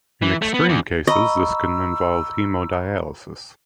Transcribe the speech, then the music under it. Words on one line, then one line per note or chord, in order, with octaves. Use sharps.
In extreme cases, this can involve hemodialysis.
E3
A3
B3
E2
D#5 A#5 B5 C#6 E6